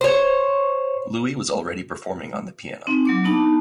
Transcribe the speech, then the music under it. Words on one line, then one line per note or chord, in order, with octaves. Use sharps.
Louis was already performing on the piano.
C5 C#5
C4 D#4
F#3 A#3 D6
B3 D4 D#4 A5